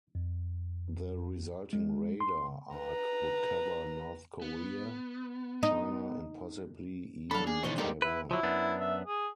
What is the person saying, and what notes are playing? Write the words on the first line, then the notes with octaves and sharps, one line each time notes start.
The resulting radar arc would cover North Korea, China and possibly even Taiwan.
F2
G#3
C6
B4 A#5
B3
D#4
F#3 D4 A4 F5 B5
A#3 G#4
B2 D#3 E3 D4 C5 C#5 D#5
G3 G#3 B3 D#4 G4 A4 A#4
E4 B4
F3 F#3 E4
F#2 B3 D4
E5
G#4